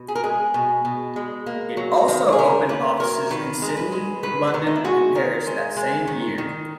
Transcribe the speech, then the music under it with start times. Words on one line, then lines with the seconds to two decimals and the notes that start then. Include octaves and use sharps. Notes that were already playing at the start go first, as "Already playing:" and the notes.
It also opened offices in Sydney, London and Paris that same year.
Already playing: B2
0.08 G#4
0.15 A#4
0.24 G#3 G#4
0.54 B2
0.85 B2
1.16 G#3
1.46 A#3
1.77 F#3
2.08 D#3
2.33 G#4
2.38 D#3 A#4
2.69 A#3 B4
3.00 F#3 A#4
3.31 D#3 B4
3.62 G#3
3.69 A#4
3.77 B4
3.92 G#3
4.23 D#3 B4
4.47 B4
4.54 D#3 A#4
4.67 D#4
4.75 E4
4.84 G#3 F#4
5.15 D#3 A#4
5.46 G#3
5.77 G#3
6.07 D#3
6.38 D#3